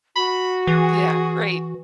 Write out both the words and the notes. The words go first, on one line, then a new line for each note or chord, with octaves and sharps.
Yeah, great.
F#4 B5
E3 G#4